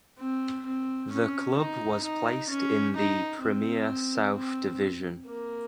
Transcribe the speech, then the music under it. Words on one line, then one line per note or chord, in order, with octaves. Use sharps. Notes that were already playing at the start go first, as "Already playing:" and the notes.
The club was placed in the Premier South Division.
C4
C4
C#4
D#4
D#4
C#4
D#4
C4
C4
A#3